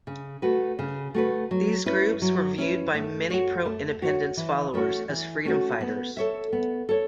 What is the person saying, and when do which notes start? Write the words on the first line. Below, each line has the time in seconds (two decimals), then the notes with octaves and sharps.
These groups were viewed by many pro-independence followers as freedom fighters.
0.07 C#3
0.42 A3 F#4 B4
0.79 C#3
1.14 A3 F#4 B4
1.51 F#3
1.86 C#4 E4 B4
2.22 F#3
2.58 C#4 E4 B4
2.94 A3
3.30 F#4 C#5
3.66 A3
4.02 F#4 C#5
4.37 E3
4.74 A3 C#4 F#4
5.09 E3
5.45 A3 C#4 F#4
5.81 B3
6.17 A4 C#5 E5
6.52 B3
6.89 A4 C#5